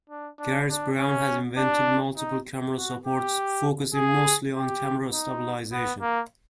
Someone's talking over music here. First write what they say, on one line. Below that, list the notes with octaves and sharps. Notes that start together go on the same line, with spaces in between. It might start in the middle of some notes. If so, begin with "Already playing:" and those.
Garrett Brown has invented multiple camera supports focusing mostly on camera stabilization.
D4
D4
D4
C#4
D4
D#4
F#4
G4
G#4
G4
D#4
B3
A#3